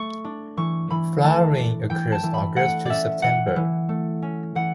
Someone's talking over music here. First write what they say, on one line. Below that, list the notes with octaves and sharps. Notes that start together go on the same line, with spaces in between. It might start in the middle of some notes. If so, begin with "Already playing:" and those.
Flowering occurs August to September.
Already playing: A3 C#6
D4
E3 C#6
E3 B5
A3 A5
D4
E3 G5
A5
E3
B5
A3 F#5
C#4 D5 E5
E3 F#5
E3
A3
C#4
E3 F#5